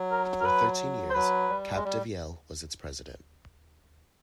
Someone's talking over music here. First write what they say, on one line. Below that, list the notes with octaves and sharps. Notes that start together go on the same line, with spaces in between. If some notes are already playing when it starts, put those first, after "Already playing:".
For thirteen years Capdevielle was its president.
Already playing: F#3
A#4
A#4
B4
C5
F#3 B4
G3
G#3
G3